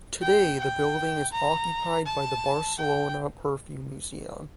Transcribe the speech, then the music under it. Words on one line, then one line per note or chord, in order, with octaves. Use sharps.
Today the building is occupied by the Barcelona Perfume Museum.
G5
G5
A#5
A5
G5